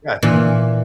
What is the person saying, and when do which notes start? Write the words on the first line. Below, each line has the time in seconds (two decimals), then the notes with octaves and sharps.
yeah, I think
0.23 A#2 E3